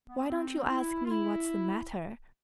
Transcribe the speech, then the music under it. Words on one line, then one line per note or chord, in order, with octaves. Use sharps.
"Why don't you ask me what's the matter?"
B3
C4
E4
F4
E4